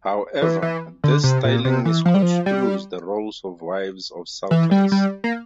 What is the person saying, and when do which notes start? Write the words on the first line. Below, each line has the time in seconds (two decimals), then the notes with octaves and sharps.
However, this styling misconstrues the roles of wives of sultans.
0.42 E3
0.62 E3
1.04 D3
1.24 C3
1.44 A#2
1.65 C3
1.85 E3
2.05 F3
2.14 G3
2.22 F3
2.46 G3
4.51 E3
4.71 G3
4.92 G3
5.24 A#3